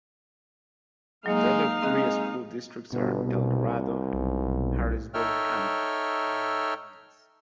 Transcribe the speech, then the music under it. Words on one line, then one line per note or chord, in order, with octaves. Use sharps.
The other three school districts are Eldorado, Harrisburg, and Carrier Mills.
F#3 G#3 A#3 D#4 F5
G#3 C4 D#5 F#6
G1 B2
C2
B1
D#4 A4 C#5 E5 G5 F6